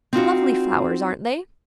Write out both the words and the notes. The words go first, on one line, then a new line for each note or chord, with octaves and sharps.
Lovely flowers, aren't they?
C4 D#4 F4 F#4